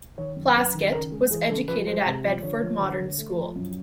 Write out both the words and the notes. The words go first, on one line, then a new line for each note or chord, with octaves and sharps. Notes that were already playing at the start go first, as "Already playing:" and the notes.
Plaskett was educated at Bedford Modern School.
D#3 C#5
F#2
F#2 B4
D#3
C#3 A#4
G#3 G#4
E3 G#4
C#3 A4
F3 B4
G#3 C5
C3
F3 D5
D3 C#5
F3
D3
D3
A3
F3
F#2